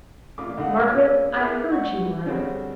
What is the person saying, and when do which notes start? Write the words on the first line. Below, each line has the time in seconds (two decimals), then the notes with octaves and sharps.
'Margaret, I heard you were up.
0.38 A1 A#2 D6
0.57 A#1 D3 F#5
0.88 A#2 G#4 C5 D5 E6
1.34 A#3 E4 G#4 A#4 B4 D6
1.70 F#5 C#6
2.26 D3 G3 C4 C#4 F#4 G#4